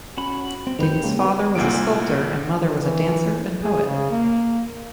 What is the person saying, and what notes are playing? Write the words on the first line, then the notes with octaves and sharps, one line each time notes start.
Dayton's father was a sculptor and mother was a dancer and poet.
C#4 F#4 B5
C4
D#3 G4 B4 G6
C#3 G#3 A#3
B3 B4
C2 A#2 A#3 D7
D#3
E3
G#4
C#3
A#3